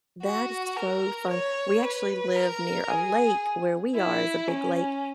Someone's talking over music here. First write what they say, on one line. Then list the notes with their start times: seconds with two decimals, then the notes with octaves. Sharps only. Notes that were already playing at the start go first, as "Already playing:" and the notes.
That is so fun, we actually live near a lake where we are is a big lake,
0.24 F#4
0.77 A#4
1.30 C#5
1.83 B4
2.36 A#4
2.90 G#4
3.95 E4
4.49 C#4